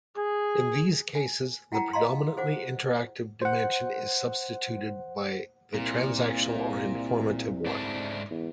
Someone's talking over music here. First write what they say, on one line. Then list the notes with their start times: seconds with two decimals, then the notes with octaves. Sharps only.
In these cases, the predominantly interactive dimension is substituted by the transactional or informative one.
0.17 G#4
1.15 G#5
1.72 E4 F#5 G5 A5 A#5
1.93 D#5 F5 A5 A#5 C6
2.37 G#4 C5 F#5 D6
3.42 C5 F#5
5.74 C2 A#2
7.66 G#2 A3 D4
8.30 E2